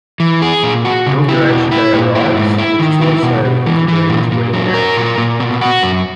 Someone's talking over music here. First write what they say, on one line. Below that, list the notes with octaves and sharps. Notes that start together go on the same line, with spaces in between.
Inauguration day arrives, which is also Wintergreen's wedding day.
E3
G#4
A#2
F#4
C#3
E4
B2
E4
A#2
E4
G#2
E4
D#3
E4
B2
B2
E3
E3
A#2
A#2
F#3
A#4
A#2
A#2
B2
F#4
F#2